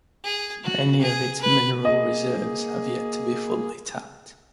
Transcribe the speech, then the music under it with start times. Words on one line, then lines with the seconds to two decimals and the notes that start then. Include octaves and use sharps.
Many of its mineral reserves have yet to be fully tapped.
0.24 G#4
0.63 F#4
1.01 G#4
1.41 B4
1.85 A#3 G#4 D#5